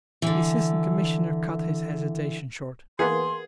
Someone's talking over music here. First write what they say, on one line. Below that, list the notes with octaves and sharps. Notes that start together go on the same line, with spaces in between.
The Assistant Commissioner cut his hesitation short.
D3 E3
E3 A#3 B3 G#4 C6